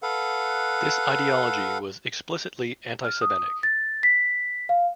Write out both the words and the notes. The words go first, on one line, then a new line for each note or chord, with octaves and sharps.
This ideology was explicitly antisemitic.
A4 B4 F5 F#5
F6
D#6
A6
B6
F5